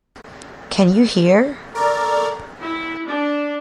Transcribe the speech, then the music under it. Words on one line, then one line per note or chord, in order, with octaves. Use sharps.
Can you hear?
A4 A#4 D5 A#5 C#6
E4
D4